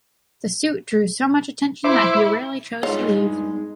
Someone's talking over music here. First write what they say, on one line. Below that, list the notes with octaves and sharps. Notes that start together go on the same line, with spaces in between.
The suit drew so much attention that he rarely chose to leave.
E4 C5 E5 D6
G2 G#3 D#4 F4 C#5 D#5